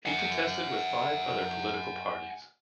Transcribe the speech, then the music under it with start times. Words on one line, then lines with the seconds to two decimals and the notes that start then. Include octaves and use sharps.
He contested with five other political parties.
0.06 F#5 G#5